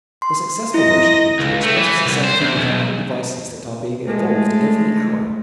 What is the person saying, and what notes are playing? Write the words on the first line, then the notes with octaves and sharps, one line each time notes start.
The successful motion picture expresses itself through mechanical devices that are being evolved every hour.
C6
E4 D#5 A#6
C#2
A3
E3
C2
C5
E2
B1
G#3 A3